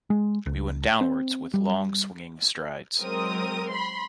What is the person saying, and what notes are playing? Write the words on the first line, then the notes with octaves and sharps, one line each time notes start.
We went downwards with long swinging strides.
G#3
C#2
C4
G3
F#3 G#3 C4 A#4 D#6
B5 C6